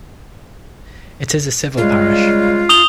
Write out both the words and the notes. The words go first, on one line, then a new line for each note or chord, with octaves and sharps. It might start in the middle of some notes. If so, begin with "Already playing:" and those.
It is a civil parish.
C#3 G3 G#3 F4
D#6 F7 G7